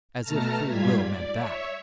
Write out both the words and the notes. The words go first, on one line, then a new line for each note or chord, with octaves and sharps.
As if free will meant that!
B2 A3 A5 A#5 F6
G#2 G3 F4 G#6 B6
D5
C#5 E5